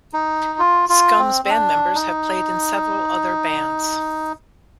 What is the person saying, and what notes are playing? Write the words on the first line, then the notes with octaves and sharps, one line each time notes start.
Scum's band members have played in several other bands.
D#4
F4
F4
C4
C4
D4
D#4